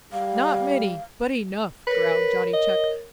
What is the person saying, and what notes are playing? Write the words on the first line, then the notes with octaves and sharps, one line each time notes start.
"Not many, but enough," growled Johnny Chuck.
G3 F5
A#4 B4 C#5
D#5